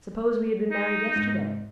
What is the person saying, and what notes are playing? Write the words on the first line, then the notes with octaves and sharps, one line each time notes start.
Suppose we had been married yesterday?
D#4
G#2